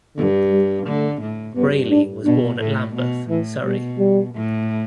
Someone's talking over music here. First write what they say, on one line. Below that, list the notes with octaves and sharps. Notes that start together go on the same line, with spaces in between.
Brayley was born at Lambeth, Surrey.
G2 D3
G3
D3 A3
A2
G2 B3
D4
B2 D4
A2 A3
B2
A2 E3
B2 G3
G3
A2